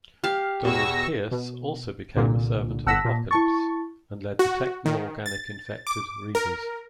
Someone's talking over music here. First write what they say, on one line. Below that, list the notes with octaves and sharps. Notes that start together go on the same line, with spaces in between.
Donald Pierce also became a servant of Apocalypse, and lead the techno-organic-infected Reavers.
G4 F5 F6
E2 B2 C#6 E6 A#6
B2
C2 A#2 D3
G1 F#5 A5 E6 A#6 B6
A#2
E4 A5 C#6 A6
F#4
D#3
A6
D6
A#4